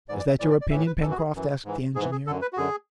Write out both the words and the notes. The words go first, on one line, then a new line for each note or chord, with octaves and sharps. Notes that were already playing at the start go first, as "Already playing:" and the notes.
"Is that your opinion, Pencroft?" asked the engineer.
G#2 E3 D5
D5
E5
A2 E3 D5
D5
D5
A2 E3 E5
B4
F#2 E3 A4
F#4
G#4
F#2 E3
G#2 E3
G#2 G#4
E3
G#4
F#2 D3 A4
B4
F#4
F#2 D3 G#4